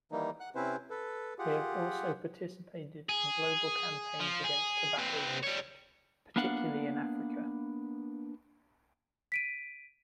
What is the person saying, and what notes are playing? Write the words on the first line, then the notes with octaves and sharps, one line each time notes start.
They have also participated in global campaigns against tobacco usage, particularly in Africa.
D#3 E3 G3 A#3 D#4
F#5 F#6
C3 C4 C#4 E4 B4 C5
A4 B4
F4 G4 G#4 F#5
G#4
F3
G#4
C4 B4
G3 C#5
A#3 B3 D4 F5 F#5
B6 D7 D#7